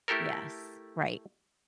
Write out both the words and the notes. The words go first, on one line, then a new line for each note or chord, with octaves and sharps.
Yes. Right.
A3 E4 G4 A4 A#4